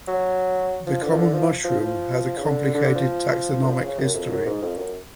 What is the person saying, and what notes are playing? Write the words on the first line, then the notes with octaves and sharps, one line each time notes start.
The common mushroom has a complicated taxonomic history.
F#3
F3
D3
F3
D3
F3
F3
F3
C#3
D3
D3
D3
F3
D3
F3
C#3
F#2
F2
F#2
G#2
F2
F#2